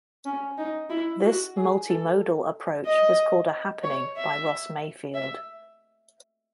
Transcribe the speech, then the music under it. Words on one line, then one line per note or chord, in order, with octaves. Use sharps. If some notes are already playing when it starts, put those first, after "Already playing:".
This "multimodal" approach was called a "happening" by Ross Mayfield.
C#4
D#4
E4
F#4
G#4
A4
D#5
C#5
E5
E5